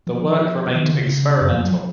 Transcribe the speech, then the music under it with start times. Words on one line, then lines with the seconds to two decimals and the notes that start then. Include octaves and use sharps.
The work remained experimental.
0.07 F3
0.68 F3
0.75 D#3
0.91 C#3
1.07 C#3
1.41 F#2
1.52 F3
1.63 F#3
1.74 F3